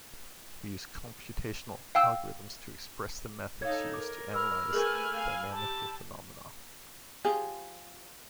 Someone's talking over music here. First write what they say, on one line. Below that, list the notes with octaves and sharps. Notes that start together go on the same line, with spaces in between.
We use computational algorithms to express the methods used to analyze dynamical phenomena.
F5 G5 E6
D#4 A4 C#5 F5 G#6
A#4 D6
B5 E6 F6
A3 G#4 A#4 B4 G#5 C#6 F#7
F5 G#5
G4 A5
F3 G4 G#4